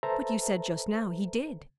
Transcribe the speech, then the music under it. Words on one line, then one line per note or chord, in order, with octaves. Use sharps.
"But you said just now he did."
A4 B4 C5 E5 A5 A#5